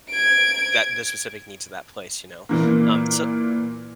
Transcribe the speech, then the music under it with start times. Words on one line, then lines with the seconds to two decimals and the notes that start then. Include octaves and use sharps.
that the specific needs of that place, you know? Um, so
0.10 G#6 D7
2.49 A#2 E3 A#3